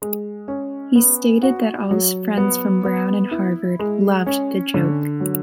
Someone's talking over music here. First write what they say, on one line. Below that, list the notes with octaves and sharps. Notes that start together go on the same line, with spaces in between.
He stated that all his friends from Brown and Harvard "loved" the joke.
G#3
C#4
B3
F#4
F#3
B3
B3
E4
G#3
C#4
D3
F#3